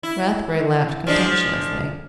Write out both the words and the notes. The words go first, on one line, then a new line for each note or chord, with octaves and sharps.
Rathbury laughed contemptuously.
E4
F3 G#3 D4